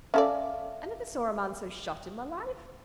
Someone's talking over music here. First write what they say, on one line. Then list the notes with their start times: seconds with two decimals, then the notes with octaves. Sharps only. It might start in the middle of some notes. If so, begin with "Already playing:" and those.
I never saw a man so shot in my life.
0.14 C#4 A4 D5 E5 F5